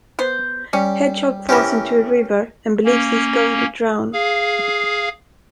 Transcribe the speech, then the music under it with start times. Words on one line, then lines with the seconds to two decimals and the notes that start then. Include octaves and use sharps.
Hedgehog falls into a river and believes he is going to drown.
0.19 B3 C5
0.73 G3 C#4
1.49 C3 E3 C#4 G4 A#4
2.85 A#3 C#4
4.13 G#4 F5